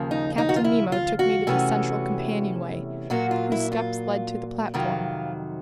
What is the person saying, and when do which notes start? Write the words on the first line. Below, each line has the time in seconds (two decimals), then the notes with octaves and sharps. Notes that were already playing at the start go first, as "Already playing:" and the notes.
Captain Nemo took me to the central companionway whose steps led to the platform.
Already playing: D#2 C#3 F3
0.11 D#4
0.38 D#4
0.49 F#4
0.56 F4
0.64 E4
0.92 F4
1.19 F#4
1.47 E2 C3 E3 A3 C#4
3.10 A#2 F#3 A#3 F#4
3.31 F4
3.52 E4
3.72 F4
4.74 F2 C3 D#3 F#3 F4